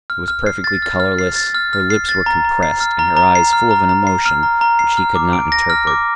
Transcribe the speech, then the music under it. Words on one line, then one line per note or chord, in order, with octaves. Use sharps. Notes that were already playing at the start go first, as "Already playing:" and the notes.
It was perfectly colourless, her lips were compressed and her eyes full of an emotion which he could not interpret.
F6
F6
C7
A6
F6
F6
C7
A6
F6
F6
C7
A6
A#5
A#5
C7
F6
A#5
A#5
C7
F6
A#5
A#5
C7
F6
A#5
A#5
C7
F6
D6
D7
A#6
F6
D6